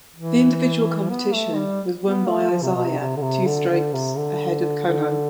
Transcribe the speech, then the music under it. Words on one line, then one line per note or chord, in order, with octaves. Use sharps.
The individual competition was won by Hsieh two strokes ahead of Kono.
E3
B3
A3
G3
B3
A3
F3
C3
B2
C3
C3
D3
C3
D3
D3
C3
D3
D3